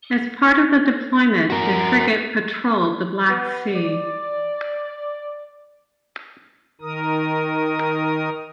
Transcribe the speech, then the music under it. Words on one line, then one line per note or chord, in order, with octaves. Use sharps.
As part of the deployment, the frigate patrolled the Black Sea.
F#4 A#4
B3
D5
D#3 A#4 D#6